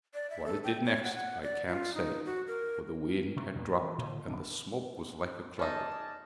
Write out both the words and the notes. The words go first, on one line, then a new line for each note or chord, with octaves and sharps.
What 'a did next I can't say, for the wind had dropped, and the smoke was like a cloud.
D5
E5
A4
G5
C#5
F#5
F#5
D5
F4
D#4
F#4
A#4
C3
E2 A#2
D1 D2 C4
E3
A2 D3
D#1 E2 F#3 D4
C#4 D#4 G#4 D5 A5